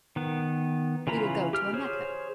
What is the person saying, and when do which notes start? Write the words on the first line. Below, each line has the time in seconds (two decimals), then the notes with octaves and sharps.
We will go to a Mecca.
0.16 D#3 B3
1.07 C#3 E3 F4 A#5 B5
1.53 G4 F6
1.74 G#4 C5 C#5